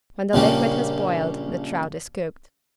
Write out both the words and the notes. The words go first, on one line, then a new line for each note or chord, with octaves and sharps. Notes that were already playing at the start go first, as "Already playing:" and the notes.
When the liquid has boiled the trout is cooked.
A#1 C#3 G3 A#3